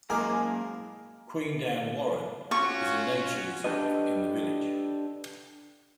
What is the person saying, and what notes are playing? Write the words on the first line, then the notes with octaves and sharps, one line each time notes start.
Queendown Warren is a nature reserve in the village.
F#2 G#3 A#3 A#4 G#5 D6
C#4 F4 F#4 C#6
D4 G4 A4 B4 D#5